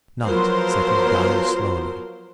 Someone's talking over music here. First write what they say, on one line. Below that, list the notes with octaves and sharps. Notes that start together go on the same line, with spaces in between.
Night settled down slowly.
F3 F#3 B3 A#4 C5 C6